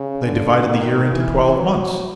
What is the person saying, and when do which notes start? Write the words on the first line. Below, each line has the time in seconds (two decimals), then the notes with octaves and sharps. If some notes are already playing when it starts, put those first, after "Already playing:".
They divided the year into twelve months.
Already playing: C#3
0.24 D3
0.69 D#3
1.12 E3
1.57 F#3